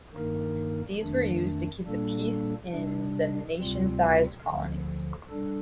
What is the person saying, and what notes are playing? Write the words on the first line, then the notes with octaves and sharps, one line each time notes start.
These were used to keep the peace in the nation-sized colonies.
G2 D#3 A#3 D#4 A#4
F2 D#3 A3 D4
A#2 G3 A#3 D4 A4
C3 G3 D4
D2 C3 G3 C4 F4
D2 D3 F3
G3 D4 A4